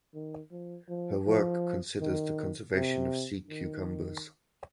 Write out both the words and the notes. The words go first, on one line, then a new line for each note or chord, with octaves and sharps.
Her work considers the conservation of sea cucumbers.
D#3
F3
F3
F3
D#3
C3
D#3